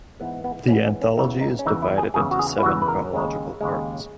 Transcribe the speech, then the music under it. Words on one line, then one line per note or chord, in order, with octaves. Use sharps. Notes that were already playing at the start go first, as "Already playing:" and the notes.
The anthology is divided into seven chronological parts.
G#2 E3 G#3 B3
B3
G#2 E3 G#3 B3 C#4
C#4
C#4
E2 C#3 E3 D#4
D#4
C#4
E2 C#3 E3 D#4
E4
G#4
E2 C#3 E3 G#4
F#4
G#4
E4
E2 C#3 E3 F#4
B4
A#4
D#2 C#3 G#3
D#2 C#3 G#3